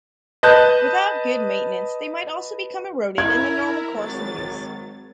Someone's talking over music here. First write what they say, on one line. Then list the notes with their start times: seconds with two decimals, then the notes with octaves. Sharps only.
Without good maintenance, they might also become eroded in the normal course of use.
0.43 B4 D#5 A5 F#6 G6
3.18 E4 A#4 G#6
3.96 G#1 F#3 A6